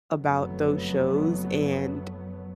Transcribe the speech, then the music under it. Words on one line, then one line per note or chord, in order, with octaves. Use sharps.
about those shows, and
F#1 F2 F#3 A3 B3